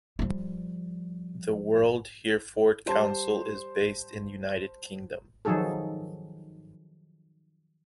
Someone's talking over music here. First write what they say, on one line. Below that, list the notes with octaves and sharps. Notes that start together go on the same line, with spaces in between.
The World Hereford Council is based in the United Kingdom.
F3 G3
G3 C5 A5 C6
D#3 F3 F#3 D#4 G#4 A4